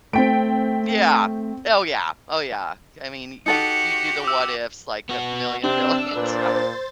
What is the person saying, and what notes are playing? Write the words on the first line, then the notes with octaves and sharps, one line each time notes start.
Yeah. Oh, yeah. Oh, yeah, I mean you you do the what-ifs like a million billion times
A3 C4 G5 D7
D#4 F#4 G4 A4 F#5 C#7
D6 E6
B3 F#4
C3 C4 D4 E6
A#2 B4 C5 A6